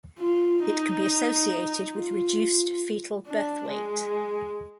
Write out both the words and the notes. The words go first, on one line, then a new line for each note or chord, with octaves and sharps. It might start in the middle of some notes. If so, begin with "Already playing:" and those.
It can be associated with reduced fetal birth weight.
F4
D#4
F4
D4
G#3